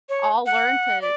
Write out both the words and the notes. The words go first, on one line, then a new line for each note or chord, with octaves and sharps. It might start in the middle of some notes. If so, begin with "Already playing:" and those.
all learn to,
C#5
F#5
D5